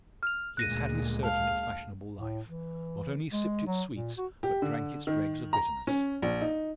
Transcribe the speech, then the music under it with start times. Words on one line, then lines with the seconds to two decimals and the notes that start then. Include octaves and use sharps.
He has had his surfeit of fashionable life; not only sipped its sweets, but drank its dregs of bitterness.
0.23 F6 F7
0.57 D2 A#2 G#3 F#6 A#6 D#7
1.23 F5 A5
2.15 A2
2.47 E3
3.32 G#3
3.67 F#3
3.93 A#2
4.17 F#4
4.43 G4
4.62 D3
5.07 D#3
5.53 A#5
5.87 C#4
6.22 A#1
6.41 D#4